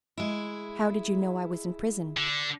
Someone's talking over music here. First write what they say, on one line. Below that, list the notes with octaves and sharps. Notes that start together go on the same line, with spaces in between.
"How did you know I was in prison?"
G#3 E4
D3